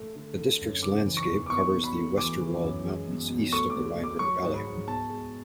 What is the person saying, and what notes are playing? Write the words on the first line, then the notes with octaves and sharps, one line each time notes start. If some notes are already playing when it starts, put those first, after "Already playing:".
The districts landscape covers the Westerwald mountains, east of the Rhine river valley.
Already playing: A3
D3
D3
F#2
C#3 D6
E3
C#6
E2
D6
B2 C#6
B2
B5
A3
E3 D6
E3
F#2
G#3
B2
B2
A3 C#6
D6
B2
B2
D6
F#3 C#6
G#2
B5
G#2
B2 A5
G#3